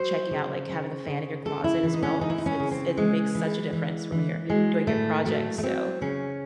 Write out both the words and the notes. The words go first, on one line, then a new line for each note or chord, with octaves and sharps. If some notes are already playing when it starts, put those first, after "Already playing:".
checking out, like, having a fan in your closet as well, it's it's it makes such a difference from when you're doing your projects, so,
Already playing: F#3 C5
C#3
C#3
C#3
C#3 A4
E4
E3
D#4
C#4
E3 D#4
E4
D#4
C#4
C#3
C4
E3 G#3
E3
E3
E3
F#3 G#3
A2 A3
F#3 A3
A3
F#3 C4
C#3 C#4